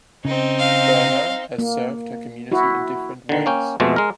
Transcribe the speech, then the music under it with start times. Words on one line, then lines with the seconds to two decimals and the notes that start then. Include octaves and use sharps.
Birna has served her community in different ways.
0.25 C#3 C4 D#4
0.59 F5
1.58 A#3
2.52 E4 F#4
3.29 D3 D#3
3.46 A#3 C#4 G5
3.80 F2 B2 G#3 A3
3.96 G#3 A#4